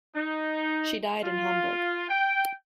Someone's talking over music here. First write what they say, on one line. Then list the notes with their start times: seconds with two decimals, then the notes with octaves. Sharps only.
She died in Hamburg.
0.15 D#4
1.24 F4
2.09 G5